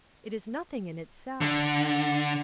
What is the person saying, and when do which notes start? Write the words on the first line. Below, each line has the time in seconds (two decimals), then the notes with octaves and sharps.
It is nothing in itself.
1.41 D3